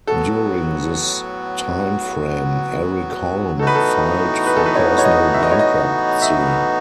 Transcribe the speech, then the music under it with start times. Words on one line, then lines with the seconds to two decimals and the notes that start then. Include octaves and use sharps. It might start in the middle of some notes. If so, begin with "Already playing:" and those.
During this time frame, Eric Holm filed for personal bankruptcy.
0.07 A2 F#3 B3 F#4 A4
3.59 A2 E3 B3 D#4 F#4 A4
3.67 B4
3.75 A4
4.47 B4
4.56 A4
4.66 B4
4.75 C#5
4.98 C#5
5.05 D#5
5.34 E5
5.43 D#5
5.52 C#5
5.59 D#5
6.22 E5